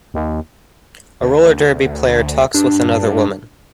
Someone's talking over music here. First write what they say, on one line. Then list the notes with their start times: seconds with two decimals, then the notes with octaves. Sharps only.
A roller derby player talks with another woman.
0.14 D#2
1.21 D2
2.54 G2 D4